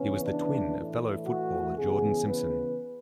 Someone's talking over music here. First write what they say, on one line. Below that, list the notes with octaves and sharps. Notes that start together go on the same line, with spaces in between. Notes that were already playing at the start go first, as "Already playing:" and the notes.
He was the twin of fellow footballer Jordan Simpson.
Already playing: C#3 E3 B3 C#4
D4
A2 E3 A3
F#4
C#3 E3 B3 G#4
B4